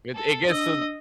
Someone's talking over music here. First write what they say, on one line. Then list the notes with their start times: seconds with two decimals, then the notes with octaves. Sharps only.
It it gets to
0.15 A4
0.48 D4 D#5 D#6 E6